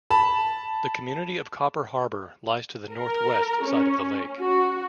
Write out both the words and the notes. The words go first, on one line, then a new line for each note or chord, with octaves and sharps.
The community of Copper Harbor lies to the north west side of the lake.
A5 B5
A#4
C#4
F#4